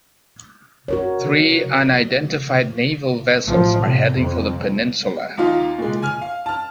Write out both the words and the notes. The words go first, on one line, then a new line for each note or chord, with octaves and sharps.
Three unidentified naval vessels are heading for the peninsula.
F#4 A#4 C#5
A1 F3
A2 C3
F2
D#2 D#4 F4 F5
A#2 G#3
G#5 F6
F5
A5 F6